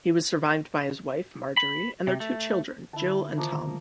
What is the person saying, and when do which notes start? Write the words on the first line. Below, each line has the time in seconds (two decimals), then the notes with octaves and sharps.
He was survived by his wife, Marjorie, and their two children, Jill and Tom.
1.57 B5
2.07 C3
2.20 A3
2.93 D3 E4 A5
3.37 D3 D#3 F3 A#3 A#4